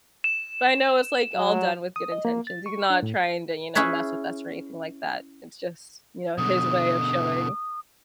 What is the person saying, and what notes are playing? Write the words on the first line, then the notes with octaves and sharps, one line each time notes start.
but I know it's, like, all done with good intentions. He's not trying to, you know, mess with us or anything like that. It's just, you know, his way of showing
E7
F#3
D#6
D#5
A#3
A6
C#6
D4
A2
C#4 E4 G#4 B4 C#5
B2 D3 D#6